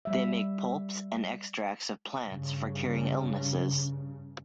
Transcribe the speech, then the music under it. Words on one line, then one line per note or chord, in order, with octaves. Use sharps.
They make pulps and extracts of plants for curing illnesses.
G3 E5
G2 C#3